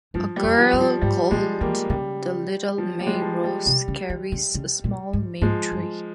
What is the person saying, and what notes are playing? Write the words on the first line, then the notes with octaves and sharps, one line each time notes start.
A girl called the Little May Rose carries a small May-tree.
G2 F3
G3
F2
F3
G2
F3
G#2 G3
A#2 F3 G#3
E3 G3 A#3
C#3 G3
F3
G3
G#3
G3
F3
G3
C3
C#3
E3
C#3
C#3
A#2
G#2
G#2 F3 G#3
G2